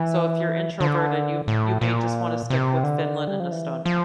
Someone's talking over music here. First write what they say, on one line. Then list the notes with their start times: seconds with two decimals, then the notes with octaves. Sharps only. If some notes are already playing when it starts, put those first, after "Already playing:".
so if you're introverted you m you may just wanna stick with Finland and Estonia.
Already playing: E3
0.80 D3
1.48 A2
1.81 A#2
2.50 C3
2.83 D3
3.28 G3
3.40 F3
3.52 E3
3.86 F3